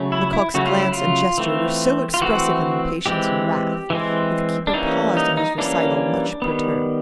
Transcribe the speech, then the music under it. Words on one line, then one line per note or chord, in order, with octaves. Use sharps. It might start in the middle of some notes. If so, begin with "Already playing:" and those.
Lecoq's glance and gesture were so expressive of impatience and wrath that the keeper paused in his recital much perturbed.
Already playing: C#3 F#3 A3 C#4
E4
E4
C#3 F#3 A3 C#4 F#4
F4
E4
F4
E3 A3 C4
F4
E3 A3 C4 F#4
E3 G#3 C4 G4
E3 G#3 C4
D4
E3 G3 A#3 C#4 D#4
D#4
D#4
E3 G3 A#3 C#4 D4
D#3 G3 B3